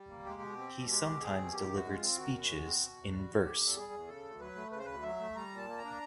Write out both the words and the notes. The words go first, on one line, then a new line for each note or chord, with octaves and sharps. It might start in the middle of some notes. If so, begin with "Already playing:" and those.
He sometimes delivered speeches in verse.
Already playing: G3
A#3
G#3 G4
B2
C4
B2
G#3 G4
B2
C4 G#4
B2
D#3 G4
F#2 F#4
G#3
F4
C4
D#3 F#4
F#2
G#3
C4
B2
E2
G3
E2
B2 G4
E2
A4
G3 G#4
E2
C#3 A4
D2
F#3 B4
A3
C#3 B4
C5
D2 B4
F#3 E5
A3
G3 A#5
A#2
A5
A#3
A#5
D4